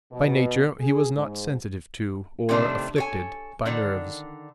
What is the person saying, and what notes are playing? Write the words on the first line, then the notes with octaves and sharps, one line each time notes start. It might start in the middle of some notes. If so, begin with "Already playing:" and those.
By nature he was not sensitive to, or afflicted by, nerves.
B2
G#4
G#2
C3 D#3 G3 A3 D4 C5
A4 C#5 G#5
D3 D#3 D4